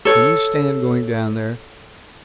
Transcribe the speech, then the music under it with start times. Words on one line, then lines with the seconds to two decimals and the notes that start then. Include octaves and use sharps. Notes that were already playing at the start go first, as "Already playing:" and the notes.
Can you stand going down there?
0.05 A4 C#5